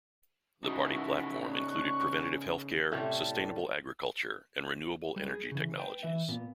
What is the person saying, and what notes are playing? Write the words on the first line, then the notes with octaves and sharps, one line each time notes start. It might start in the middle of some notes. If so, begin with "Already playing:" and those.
The party platform included preventive health care, sustainable agriculture and renewable energy technologies.
C#3 D#4 E4 F#4
C#6 F#6
A2 C3 G3 C#4 E4 A4
G3
G#4
C#3 E3
B4 G5
E3 E5
A#2 B3